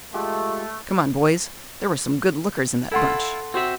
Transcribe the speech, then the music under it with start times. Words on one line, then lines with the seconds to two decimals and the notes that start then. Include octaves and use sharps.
"Come on, boys--there were some good lookers in that bunch."
0.14 G#3 A3 F4 G4
2.92 E4 F4 A4 F#5 C6
3.54 C4 F#4 C5 E5